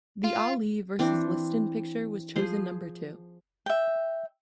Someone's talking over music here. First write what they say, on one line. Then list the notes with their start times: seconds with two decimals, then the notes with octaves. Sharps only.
The Ali versus Liston picture was chosen number two.
0.24 F4
0.99 E3 C4 D4
2.36 F3 G#4 C5
3.66 E5 G5